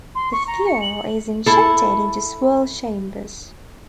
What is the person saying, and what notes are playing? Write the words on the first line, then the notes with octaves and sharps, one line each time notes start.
The fuel is injected into swirl chambers.
C6
C#6
A#5
C#7
F#7
E4 A4